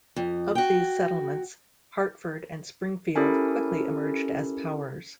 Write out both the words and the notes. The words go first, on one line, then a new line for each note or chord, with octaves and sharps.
Of these settlements, Hartford and Springfield quickly emerged as powers.
F2
F#4 G5
C#4 E4 G4 A4 A#4 G#5